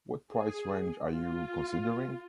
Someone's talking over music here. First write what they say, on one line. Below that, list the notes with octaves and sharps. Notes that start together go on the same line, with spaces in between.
What price range are you considering?
G#4
F4